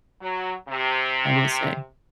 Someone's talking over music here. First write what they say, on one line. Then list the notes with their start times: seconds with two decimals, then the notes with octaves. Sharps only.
I will say.
0.22 F#3
0.69 C3